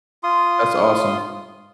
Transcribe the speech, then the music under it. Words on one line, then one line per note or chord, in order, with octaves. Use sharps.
That's awesome.
F4 C6 D#6